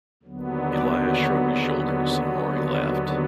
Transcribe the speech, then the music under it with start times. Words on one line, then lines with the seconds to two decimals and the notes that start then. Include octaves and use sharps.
Elias shrugged his shoulders and Maury laughed.
0.23 D#2 D3 F#3 B3
0.68 D5
1.13 C#5
1.58 G#4
2.03 G4
2.33 F#4
2.63 F#4